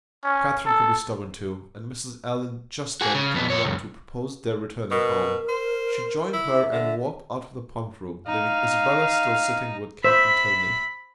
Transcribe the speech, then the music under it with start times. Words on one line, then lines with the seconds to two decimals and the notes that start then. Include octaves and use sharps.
But Catherine could be stubborn too; and Mrs. Allen just then coming up to propose their returning home, she joined her and walked out of the pump-room, leaving Isabella still sitting with Captain Tilney.
0.24 C#4
0.66 A4
3.01 F#4 G#4
3.14 C#3
3.34 F2 B3
3.50 F2 C#5
3.64 C#2 F#2
4.92 B2 A#4
5.49 C5
6.33 E4
6.52 E5
6.72 D3
8.27 D#4 F5
10.04 C5 E5 B5